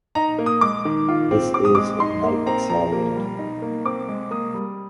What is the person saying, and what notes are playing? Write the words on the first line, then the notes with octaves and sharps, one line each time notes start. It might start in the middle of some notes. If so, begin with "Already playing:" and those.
This is Ignite Accelerated.
D#4 A#5
A#3
D#6
G#3 D6
D#3
F4
C4
C4 D6
D#6
G#3 D6
D#4 C6
A#3
C4 A#5
F3 A#5
A#3
G3
D#4
A#3
C4 D6
G#3
A#3 D#6
G3